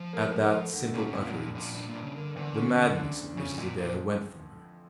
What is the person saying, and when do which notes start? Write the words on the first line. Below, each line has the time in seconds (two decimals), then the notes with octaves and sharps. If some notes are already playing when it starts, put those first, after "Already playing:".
At that simple utterance the madness of Mrs. Adair went from her.
Already playing: F3
0.13 A#3
0.32 A#1
0.54 A3
0.73 G1
0.94 A#2 C#4
1.07 A2
1.14 F2
1.21 A#2
1.34 A#1 A#2
1.55 A#1 A#2
1.74 G2 A#2
1.89 A#2
1.95 G2
2.03 C#3
2.15 D3 A#3
2.36 E2 D3
2.56 C#4
2.76 D2
2.97 D4
3.17 D2
3.37 C#3 C#4
3.58 F2 A#2
3.78 A#2 E3